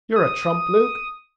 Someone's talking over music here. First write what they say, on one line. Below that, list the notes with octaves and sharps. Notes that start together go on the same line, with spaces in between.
'You're a trump, Luke!
D#6